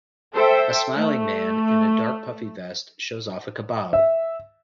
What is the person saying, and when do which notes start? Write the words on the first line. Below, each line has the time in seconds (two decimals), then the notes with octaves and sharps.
A smiling man in a dark puffy vest shows off a kebab.
0.35 A4 C5 E5 G5
0.97 A3
3.93 E5